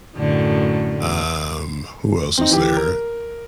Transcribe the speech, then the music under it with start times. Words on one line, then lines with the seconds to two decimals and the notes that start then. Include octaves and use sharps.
Um, who else was there?
0.16 F#2 A2 D3
2.38 C4 D#4
2.51 E3 G4
2.76 A#4